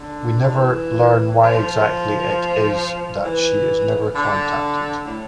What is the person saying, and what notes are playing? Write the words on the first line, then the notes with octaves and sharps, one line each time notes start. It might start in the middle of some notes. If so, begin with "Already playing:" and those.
We never learn why exactly it is that she is never contacted.
Already playing: D3
D3
E3
F3
E3
D3
A2